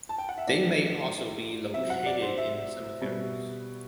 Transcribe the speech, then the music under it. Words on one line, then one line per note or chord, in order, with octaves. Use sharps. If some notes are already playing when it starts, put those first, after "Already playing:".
They may also be located in cemeteries.
A5
G5
F#5
E5
A2 F#3 D5
C3 F#3 E5
F#5
D5
C5
E5
B2 G3